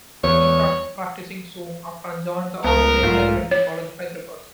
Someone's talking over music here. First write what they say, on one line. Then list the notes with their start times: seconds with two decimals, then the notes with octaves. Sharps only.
He started practising soon after and joined the "Osmania Medical College," Hyderabad.
0.24 E2 C#5
2.64 C#2 A3 B3 A#4
3.03 B1 G#2 A3 F4
3.51 C#5